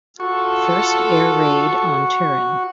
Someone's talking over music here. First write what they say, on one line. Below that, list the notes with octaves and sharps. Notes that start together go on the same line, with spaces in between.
First air raid on Turin.
F4 F#4 A4 C#6